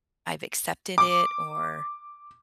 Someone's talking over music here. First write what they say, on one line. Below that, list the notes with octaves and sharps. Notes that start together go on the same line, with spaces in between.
I've accepted it, or,
D6